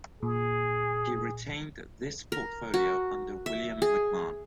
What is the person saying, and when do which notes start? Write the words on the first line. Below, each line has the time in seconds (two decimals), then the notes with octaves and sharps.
He retained this portfolio under William McMahon.
0.23 A#2 G#4
2.32 A#4
2.74 F#4
3.46 E5
3.82 G#4